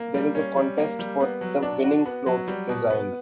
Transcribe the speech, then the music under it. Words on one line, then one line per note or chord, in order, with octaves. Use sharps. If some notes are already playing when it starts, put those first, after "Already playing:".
There is a contest for the winning float design.
Already playing: A#3
G3
C#4
G3
A#3
G3
B3
F#3
D4
F#4
B3
F#3
G3
B2
B3